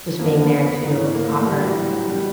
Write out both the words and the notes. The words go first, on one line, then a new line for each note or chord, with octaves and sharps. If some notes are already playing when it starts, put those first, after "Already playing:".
just being there to offer, um,
F2 D3 A#3
B3
G#2 E3
A#3
A3
A3
A2 E3 G3
F#3
G3
B2 G3